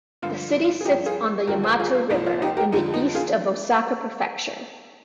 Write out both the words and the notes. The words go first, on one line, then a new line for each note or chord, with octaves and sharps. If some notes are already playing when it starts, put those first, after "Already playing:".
The city sits on the Yamato River in the east of Osaka Prefecture.
G2 D3 F3 F4
F4
G#4
G2 F3 D#4 G4
F4 G#4
D#2 D3 F3 G4 A#4
G#4 C5
F4 G#4
F4
C2 A#2 F3 D#4
F4
D#4 G4
G4 A#4
F2 D3 F3 D#4
D#4
F4 G#4